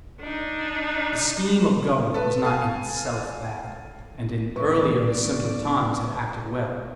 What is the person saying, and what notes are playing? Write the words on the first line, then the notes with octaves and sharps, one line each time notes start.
The scheme of government was not in itself bad, and in earlier and simpler times had acted well.
D4 D#4
A4 B4
A4 F5 G#5
B1 A2 B4 D5 C#6